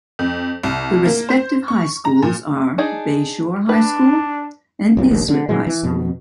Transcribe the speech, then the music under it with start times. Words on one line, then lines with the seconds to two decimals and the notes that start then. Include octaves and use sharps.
The respective high schools are Bay Shore High School and Islip High School.
0.19 F2
0.63 C2
1.05 A#3
1.29 C5
1.68 C#6
2.05 A#5
2.22 A#2
2.78 D4 D#4 G#4
3.69 D4 B4
4.97 C2 F#2 A2 C3
5.11 E1 A#1 D#2
5.29 D3
5.49 A#2 E3 F#3 G#3
5.66 E3
5.83 F2 B2